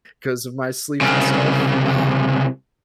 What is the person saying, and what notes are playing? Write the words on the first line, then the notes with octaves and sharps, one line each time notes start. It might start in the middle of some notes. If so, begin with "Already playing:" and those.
'cause of my sleep and stuff, um
C2 C#3